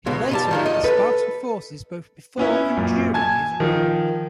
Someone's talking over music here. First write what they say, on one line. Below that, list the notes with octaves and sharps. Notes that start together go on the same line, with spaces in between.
He later led the Spartan forces both before and during his rule.
C#2 B2 G#3
G#2 G3 A5
D#3 F3 G#3
D#5
A4 B4
B3 C#4 E4
F#2 A#2
G#5 A5 G#6
D#3 F3